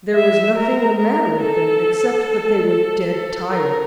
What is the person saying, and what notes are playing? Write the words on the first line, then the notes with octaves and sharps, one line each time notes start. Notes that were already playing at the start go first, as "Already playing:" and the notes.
There was nothing the matter with them except that they were dead tired.
E5
A#4
A#4
A4
A4
A4
A#4